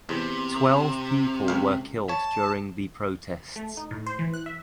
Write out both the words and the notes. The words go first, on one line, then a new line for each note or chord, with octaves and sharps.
Twelve people were killed during the protests.
E2 C3
C#2 F5
C#5 A5
A3
D#4
A2
C5
E3
F#6
E5